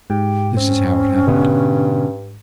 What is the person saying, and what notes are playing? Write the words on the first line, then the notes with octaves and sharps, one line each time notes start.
This is how it happened.
G#2 G4
C4 C#4
G2 B2 D3 B3